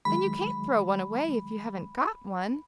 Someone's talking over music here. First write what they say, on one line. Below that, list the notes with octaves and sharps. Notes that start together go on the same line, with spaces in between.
"Then you can't throw one away, if you haven't got one."
D#3 F#3 G#3 B5